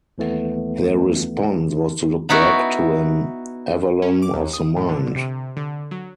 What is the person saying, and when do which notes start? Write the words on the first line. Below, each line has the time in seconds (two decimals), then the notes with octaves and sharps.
Their response was to look back to an Avalon of the mind.
0.18 D#2 E3 A3 B3
2.29 B3 D#4 E4 F#4
4.02 C#4
4.22 D6
4.33 D#2
4.53 D#6
4.77 A2
4.89 D3
5.15 C3
5.57 D3
5.91 F#3